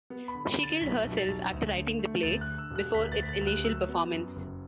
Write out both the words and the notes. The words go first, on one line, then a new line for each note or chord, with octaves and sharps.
She killed herself after writing the play, before its initial performance.
B3
B5
D3
B5
D3
A6
B1 B6
B1
A6
B1
D2
D3
A3
D2 A6
F#6
D3
E6
E1
F#6
D2 B6
A6
D2 B6
A6
D2
F#6
F#3 E6
B3
F#2
F#1